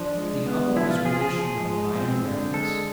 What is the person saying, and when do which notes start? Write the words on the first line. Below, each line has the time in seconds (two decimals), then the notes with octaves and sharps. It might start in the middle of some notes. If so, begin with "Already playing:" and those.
The album was reissued on Rhino Records.
Already playing: F3 D4
0.16 G#3
0.46 B3
0.76 F3 E4
0.91 F4
1.05 F3 G#4
1.16 F4
1.21 G#4
1.35 F3
1.65 G#3
1.95 C4
2.24 D3
2.54 G#3 A4